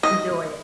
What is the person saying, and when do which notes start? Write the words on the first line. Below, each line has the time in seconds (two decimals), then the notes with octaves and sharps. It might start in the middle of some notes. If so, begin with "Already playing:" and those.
Enjoy it.
0.03 D#5